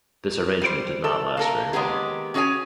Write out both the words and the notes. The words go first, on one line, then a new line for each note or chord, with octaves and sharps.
This arrangement did not last very long.
G3 C5
A4
A#3 A4 A#4
D#3 G#3 A#3 B3 G4 G#4
C#4 F#4 G#4 C#5 G#5